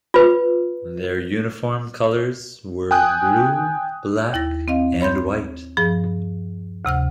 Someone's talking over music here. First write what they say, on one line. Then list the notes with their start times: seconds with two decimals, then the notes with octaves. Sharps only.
Their uniform colors were blue, black and white.
0.14 F4 B4
2.91 G5 G#5 D#6 F#6
4.33 D#2 E4 A6 A#6
4.68 C4 D#5 F5
5.01 C#5 B5 C6 G6
5.77 G2 F3 G#4
6.85 D2 C3 F#5 F6